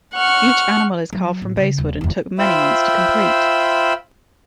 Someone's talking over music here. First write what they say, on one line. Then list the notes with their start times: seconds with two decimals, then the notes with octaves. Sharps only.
Each animal is carved from basswood and took many months to complete.
0.14 F#5 C#6 F6
1.13 F#3
1.42 A1
1.57 C#3
1.78 D#1
2.01 E1 D#2
2.39 F4 C5 E5 G5 B5 E6